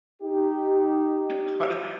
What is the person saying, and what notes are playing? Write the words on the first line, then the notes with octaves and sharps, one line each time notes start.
How did
D#4 G4